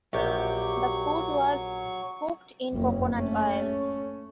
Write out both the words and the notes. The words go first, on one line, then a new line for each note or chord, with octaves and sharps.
The food was cooked in coconut oil.
A#1 F#3 G4 C#6
F#1 F2
A3 C#4